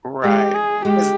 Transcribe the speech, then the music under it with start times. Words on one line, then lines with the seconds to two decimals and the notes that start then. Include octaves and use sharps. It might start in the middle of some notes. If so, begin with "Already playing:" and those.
Right. 'Cause
0.24 G#3 G4
0.54 G#4
0.85 G#3 G4